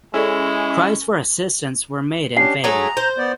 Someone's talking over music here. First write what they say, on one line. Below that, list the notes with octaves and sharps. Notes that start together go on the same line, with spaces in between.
Cries for assistance were made in vain.
G#3 C#4 E4 G#4 A4 D5
C#4 D4 G4 F#5
F#3 A3 G#4 A#5
C5
B3 D5